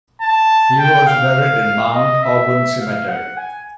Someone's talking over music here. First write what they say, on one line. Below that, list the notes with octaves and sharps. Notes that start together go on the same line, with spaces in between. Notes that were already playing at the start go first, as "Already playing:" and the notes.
He was buried in Mount Auburn Cemetery.
A5
G5
F5
D#5
E5
F5
F#5
G#5